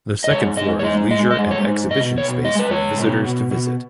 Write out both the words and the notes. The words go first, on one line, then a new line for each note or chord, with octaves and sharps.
The second floor is leisure and exhibition space for visitors to visit.
D#5
G#2 C#5
G#2 D#5
C#5
G#3 D#5
G#3 D#5
D#5
G#2
C#5
G#2
B2 D#5
B2 C#5
G#3 D#5
B4
G#3 C#5
B2
B2
B2